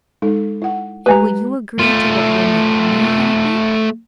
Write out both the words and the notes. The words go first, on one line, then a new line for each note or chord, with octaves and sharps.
"And will you agree to what will make me happy?"
G#3 D#4 A4
E4 F#5
G#3 G4 B4 G#5 A#5
A3 F4